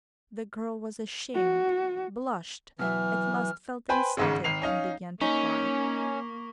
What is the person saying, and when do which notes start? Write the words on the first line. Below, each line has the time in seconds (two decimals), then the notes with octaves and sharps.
The girl was ashamed, blushed, at last felt insulted, and began to cry.
1.34 F#4
2.79 B2 E3 F#3 E5 F6
3.89 B4 C5 G5 G#5 B5
4.17 G#1 G#2 C#3
4.44 G#1 C7 F7
4.62 C#4 D#4 F5
5.21 A#3 C#4 D#4 C#6 B6 G7